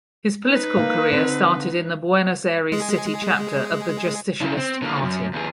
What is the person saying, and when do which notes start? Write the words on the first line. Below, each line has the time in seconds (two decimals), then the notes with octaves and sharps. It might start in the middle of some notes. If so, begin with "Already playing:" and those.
His political career started in the Buenos Aires City chapter of the Justicialist Party.
0.45 D#4 B4
0.77 A#3 F5
1.11 D3 C4
2.72 G#3 G#4
4.41 C#3 E4
4.57 C4
4.82 D3 A#3
5.02 F#2
5.33 D#2 G#4